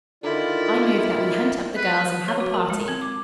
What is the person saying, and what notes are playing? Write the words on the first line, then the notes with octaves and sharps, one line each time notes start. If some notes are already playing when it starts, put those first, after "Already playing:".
I move that we hunt up the girls and have a party.
D3 D#3 E4 F4 D5
B4
C#5
F#4
A#4
G#3
C4
D6